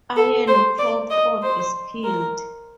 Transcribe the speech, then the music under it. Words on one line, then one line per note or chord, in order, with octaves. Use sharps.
Ian Crawford is killed.
A4
C5
D5
D#5
C5
A#4